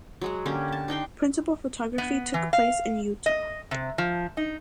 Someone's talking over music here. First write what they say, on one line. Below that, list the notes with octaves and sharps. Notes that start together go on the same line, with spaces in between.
Principal photography took place in Utah.
F#3 G#3 F#5
D3 A#3 C#4 G4
A5
D4 D#4 G5 C6
B3
E3
F5
D#5
C3
F3
D#4